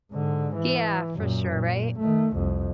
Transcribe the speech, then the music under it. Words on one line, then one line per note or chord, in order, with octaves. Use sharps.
Yeah, for sure, right?
G#2 D3
E3
F#2 A#2
A#2
D#3 A3
C2 F2